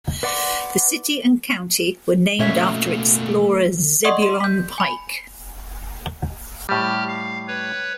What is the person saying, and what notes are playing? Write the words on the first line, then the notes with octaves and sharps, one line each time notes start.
The city and county were named after explorer Zebulon Pike.
B4 D5 F#5 C6 D6
B2 A3 A#3 C#4 C#5 E5
D5 D#5 F#5 C6 C#6 D#6
C6 D#7 E7
G6 B6
G#5 B5
A2 G3 G4 F6
F5
B4 C#5